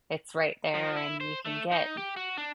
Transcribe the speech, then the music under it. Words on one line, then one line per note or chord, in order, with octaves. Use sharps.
it's right there, and you can get
F3
E4
C5
A3
D#4
G4
F#4
D4